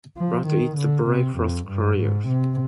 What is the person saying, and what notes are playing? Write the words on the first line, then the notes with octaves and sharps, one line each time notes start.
But it's a breakfast cereal!
F3
D#3
D3
C3
F2
G2
G#2
C3